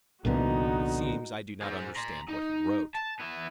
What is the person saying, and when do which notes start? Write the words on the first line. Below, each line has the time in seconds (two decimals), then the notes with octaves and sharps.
But it seems I do not understand what he wrote.
0.25 C2 F2 A#2 D3 B3 D#4 F#4
1.62 G#4 C5
1.96 A#5 C6
2.28 D#4
2.95 A5
3.19 B3 E4